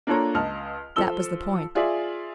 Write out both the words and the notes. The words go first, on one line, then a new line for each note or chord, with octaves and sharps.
That was the point.
A#3 D4 F4 A4 C#5 A#5
C#2 D#5 A5 F6
F3 A4 E6 G7
F4 G#4 D5 E5